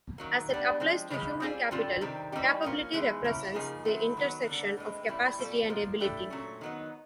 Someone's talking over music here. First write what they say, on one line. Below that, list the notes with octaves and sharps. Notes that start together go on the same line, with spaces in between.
As it applies to human capital, capability represents the intersection of capacity and ability.
D#3 F#3 A#3
G3 B3 D4
F3 G#3 C4
C#3 E3 G#3 C#4
G3 C4 F4 G#4
D3 G3 C4 F4
C3 D#3 G3 C4
E3 G3 C4 D#4 G4
F3 A#3 C#4 F4
E3 G#3 B3 D#4 G#4
C#3 F#3 A#3 C#4 E4
C#3 F3 A#3 D#4 G#4
D#3 F#3 A3 C4 E4
D#3 F#3 B3
D3 G3 A#3
A2 E3 G#3 C4
A2 E3 G3 C4 E4
B2 G3 C4 F4 A4
A#2 F3 G#3 C4 F4
E3 A3 D4 G4
A#2 F#3 A3 C#4
D#3 F#3 B3 D#4